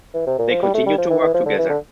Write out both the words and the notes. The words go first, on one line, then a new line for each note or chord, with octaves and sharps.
They continue to work together.
E3
C3
A#2
F3
G3
A3
G3
F3
E3
E3
F3
D3
E3
D3